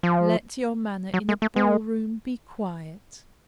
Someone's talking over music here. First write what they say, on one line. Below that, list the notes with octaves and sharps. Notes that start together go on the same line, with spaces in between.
Let your manner in a ball room be quiet.
F3
F#3
G#3
A3
G#3